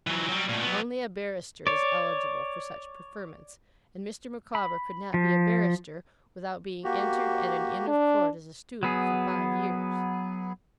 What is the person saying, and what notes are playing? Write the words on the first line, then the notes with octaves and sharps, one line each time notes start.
Only a barrister is eligible for such preferments; and Mr. Micawber could not be a barrister, without being entered at an inn of court as a student, for five years.'
E3 F#3
F#3 G3
A#2 A3
F#3 B3
C#5 D5
B5
F3
A#3 F#4 G4
D4
F#3 B3 G#4